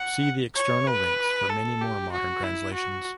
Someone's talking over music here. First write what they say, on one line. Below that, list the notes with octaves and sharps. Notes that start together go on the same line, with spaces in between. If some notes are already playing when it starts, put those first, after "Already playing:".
See the external links for many more modern translations.
Already playing: F#5
C#5
B4
A4
G4
F#4
E4
F#4